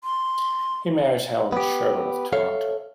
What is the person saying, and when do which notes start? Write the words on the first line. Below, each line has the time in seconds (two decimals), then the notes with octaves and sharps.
He married Helen Sherwood of Toronto.
0.04 C6
1.53 B3 G4
2.33 A4 C#5 E5 F5